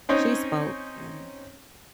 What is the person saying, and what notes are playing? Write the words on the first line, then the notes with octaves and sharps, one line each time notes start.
she spoke and
C4 C#4 D#4 C#5